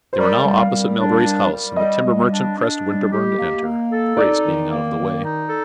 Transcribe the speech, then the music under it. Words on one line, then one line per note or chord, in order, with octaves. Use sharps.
They were now opposite Melbury's house, and the timber-merchant pressed Winterborne to enter, Grace being out of the way.
C5
G3 A#4
G3
F5
G3
D4
G3
G3
G3 D#5
G3
D4
D4
G3
G4
A#3
A#3
A4
D#4 D5
D#3
A#3
D#3
D#4
A4